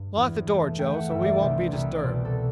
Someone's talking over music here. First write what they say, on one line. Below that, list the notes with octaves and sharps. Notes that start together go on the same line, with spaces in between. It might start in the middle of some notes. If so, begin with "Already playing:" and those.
Lock the door, Joe, so we won't be disturbed.
Already playing: G2
E2
A3
A3 G5
F#5
G1 E5
D5
C2 C5
C2
D5
B2 C5
A4